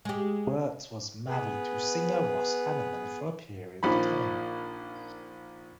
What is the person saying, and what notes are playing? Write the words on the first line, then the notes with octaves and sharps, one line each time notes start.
Wirtz was married to singer Ross Hannaman for a period of time.
G#3 G4
B3 G#4 B4
A#1 D#3 F3 B5